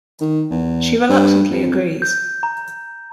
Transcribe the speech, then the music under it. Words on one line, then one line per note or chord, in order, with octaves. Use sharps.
She reluctantly agrees.
D#3
E2
G2
F2
G6
A#5